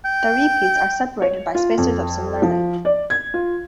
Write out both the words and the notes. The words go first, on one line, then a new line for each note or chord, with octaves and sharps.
The repeats are separated by spacers of similar length.
G5
C#5
F4
F2
F3
D5
G#6
F4